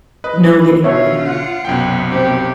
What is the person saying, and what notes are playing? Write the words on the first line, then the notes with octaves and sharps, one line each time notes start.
no getting through to him,
B4 D#5
B2 F4 C#5 E5
F#5
B1 F#2 C3 B3 G5
C4 G4